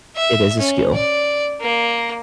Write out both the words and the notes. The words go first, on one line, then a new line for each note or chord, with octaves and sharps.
It is a skill.
E5
C#4
D5
A#3